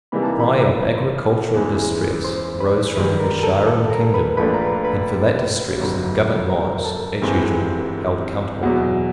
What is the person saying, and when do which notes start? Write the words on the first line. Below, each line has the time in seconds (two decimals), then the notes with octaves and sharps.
The cry of agricultural distress rose from every shire in the kingdom; and for that distress the government was, as usual, held accountable.
0.12 C3 E3 G3 A#3 D#4 B4 B5
0.23 A5
0.31 A#5
0.40 B5
0.47 C5 C6
1.54 E2 C#3 E3 G#3
2.24 C5 C6
2.60 B4 B5
2.96 A#1 G#2 D#3 G3 B4 B5
3.19 A#4 A#5
3.43 A4 A5
3.67 A4 A5
3.90 A#4 A#5
4.14 B4 B5
4.37 A#1 A#2 F3 A3 D4 B4 B5
4.54 A#5
4.61 B4 B5
4.84 B4 B5
5.79 G1 F2 D3 F#3
6.50 A#4 A#5
6.85 A4 A5
7.22 G1 G2 E3 G#3 C4
8.63 E2 B2 F#3 F#4 F#5